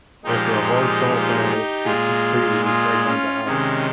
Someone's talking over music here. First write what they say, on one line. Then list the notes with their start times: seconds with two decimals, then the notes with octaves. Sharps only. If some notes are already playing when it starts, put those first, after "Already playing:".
After a hard-fought battle he succeeded in taking the island.
0.24 A#2 F3 G#3 D#4 G4
1.85 A#2 G#3 F4 G#4
2.64 F4 G#4
3.05 C#4 F4
3.45 C3 D#3 G#3 C#4